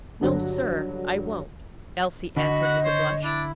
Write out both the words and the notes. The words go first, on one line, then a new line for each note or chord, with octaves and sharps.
"No, sir, I won't," Elsie answered with a blush.
G2 D3 F#3
D3 F#4 D#5 B5
F#5
C5 C#5
D4 E4